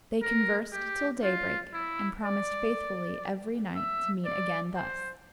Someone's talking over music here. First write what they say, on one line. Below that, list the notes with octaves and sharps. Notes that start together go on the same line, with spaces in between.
They conversed till daybreak, and promised faithfully every night to meet again thus.
A#4
G4
F4
E4
D5
E5
D5
C5